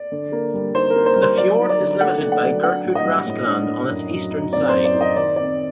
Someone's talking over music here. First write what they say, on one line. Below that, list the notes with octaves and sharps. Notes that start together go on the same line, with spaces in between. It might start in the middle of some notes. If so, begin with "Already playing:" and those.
The fjord is limited by Gertrud Rask Land on its eastern side.
Already playing: D5
D3
A#3
G3
D#4 C5
A#4
A#3
C5
G3
C5
F#3 D5
D#4
D5
D3
A3 F#5
A3
F#5
F#3
D4 F#5
A2
D#5
G3
A2
D4
A2
F#2
F#3
D#4
C4 D5
F#2 C5
D5
D#4
D#5
D#3 D5
C4 D5